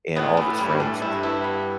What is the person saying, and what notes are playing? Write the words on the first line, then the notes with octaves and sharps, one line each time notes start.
and all of his friends?"
A2 B3
A2 E3
G2 G3
A2 E3
G2 E4
E4
B3